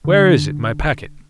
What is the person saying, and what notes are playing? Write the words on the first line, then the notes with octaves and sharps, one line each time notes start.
"Where is it, my packet?"
D3 D4